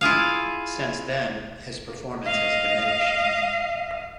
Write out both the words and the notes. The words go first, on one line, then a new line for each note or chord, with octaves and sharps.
Since then, his performance has diminished.
E4 F4 G#4 F5
D#5 F5